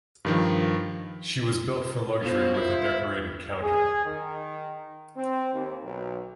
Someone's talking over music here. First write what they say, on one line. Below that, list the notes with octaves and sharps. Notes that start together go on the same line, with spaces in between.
She was built for luxury with a decorated counter.
G2 D#3 F3
B2 F4 C5
E4 F4
G#4
D#3
C4
D#2
B1